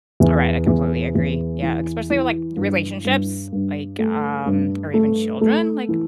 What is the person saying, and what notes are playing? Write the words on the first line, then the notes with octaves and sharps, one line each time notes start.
Alright, I completely agree, yeah, especially with, like, relationships, like, um, or even children, like,
E2
E2
E2
E3
E3
G2
G2
G2
A3
G2
A3
A3
E3